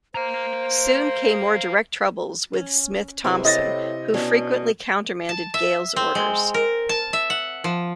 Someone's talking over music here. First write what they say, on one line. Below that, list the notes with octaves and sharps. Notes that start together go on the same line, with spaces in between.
Soon came more direct troubles with Smith Thompson, who frequently countermanded Gale's orders.
C5 F5 A#5
C#4
C#2 C3 E4 G#5
A2 E4 D#5 A5 A6 A#6
B2 C#4 D4 C#5
A5
E5
C4
G#3
A#4
A5
E5
F#5
F3